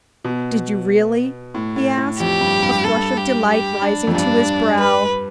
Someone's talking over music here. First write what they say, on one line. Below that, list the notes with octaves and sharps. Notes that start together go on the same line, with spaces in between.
"Did you really?" he asked, a flush of delight rising to his brow.
B2
A2
A2
A2
F2 G4
G2
G2
G2 A4
G4
G4
D4
F2
G2 D4
B4